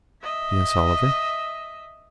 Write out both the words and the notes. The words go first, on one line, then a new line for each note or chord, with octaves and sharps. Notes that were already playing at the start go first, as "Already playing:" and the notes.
"Yes, Oliver?"
D#5 E5